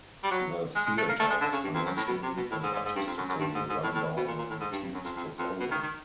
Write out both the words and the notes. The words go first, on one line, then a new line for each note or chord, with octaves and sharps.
The theatre was financially and artistically run down when Tietz took over.
G3
F#3
G#3
G#3
A3
A#3
A3
G#3
D3
C#3
G2
F2
F#2
A2
B2
C3
B2
A2
G#2
G#2
G#2
G2
F2
F#2
F#2
G2
G#2
G#2
A2
A2
B2
A#2
A#2
A2
G#2
G2
G2
F#2
F2
F2
F2
B2
D#3
D#3